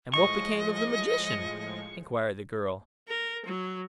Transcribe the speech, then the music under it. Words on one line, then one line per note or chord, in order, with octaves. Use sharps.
"And what became of the Magician?" inquired the girl.
A2 F3 G#3 D#5 C#6
A#4
F#3